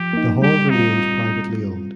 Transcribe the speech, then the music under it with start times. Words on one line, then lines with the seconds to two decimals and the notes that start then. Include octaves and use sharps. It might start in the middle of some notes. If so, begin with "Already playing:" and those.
The hall remains privately owned.
Already playing: F3 G4
0.13 A#3 D#4
0.42 G3 G4
0.70 C4 D#4 F4